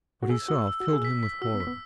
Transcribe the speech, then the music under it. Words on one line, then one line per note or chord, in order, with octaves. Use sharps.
What he saw filled him with horror.
F#4
G#4 E6
F#4 E6
E6
F#4
E6
G#4
B6
B6
F#4 E6
B3
B6
B3